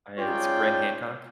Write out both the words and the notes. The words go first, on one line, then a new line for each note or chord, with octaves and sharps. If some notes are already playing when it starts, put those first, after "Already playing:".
Uh, it's Graham Hancock?
G#2 C#4 F4 C#5 D5 G5